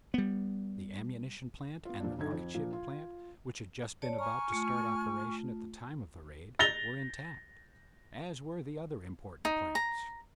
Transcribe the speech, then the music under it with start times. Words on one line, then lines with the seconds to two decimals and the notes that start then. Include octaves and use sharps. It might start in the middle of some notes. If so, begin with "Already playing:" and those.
The ammunition plant, and the rocket-ship plant, which had just been about to start operation at the time of the raid, were intact, as were the other important plants.
0.14 G3 B3
1.85 B3 F4
2.00 A#2 F3 A#3 D4
2.18 B1 D3 D#4 A4 G#6
2.32 F2
2.54 A#2 F3 D4
2.73 F4
4.02 C#5 D5 A5
4.19 G#5 A#5 C#6 F6
4.49 A3 F4
6.59 A6 A#6 F7 G7
9.45 D#4
9.75 A#5